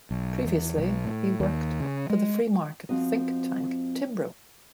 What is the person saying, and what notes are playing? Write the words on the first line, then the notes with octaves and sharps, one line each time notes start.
Previously, he worked for the free market think tank Timbro.
B1
E2
B1
A2
D#2
C#3
G#3
F3 C4 F#4 D#5